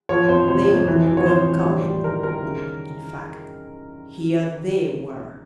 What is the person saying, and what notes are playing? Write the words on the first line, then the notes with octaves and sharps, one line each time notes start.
"They" were coming--in fact, here "they" were!
F3 C#5
F2 C5
C3 C5
F2
E3
E3
C#5
E3 C5
E3
G3
G3
D#3 A#4
D#3 A#4
C#3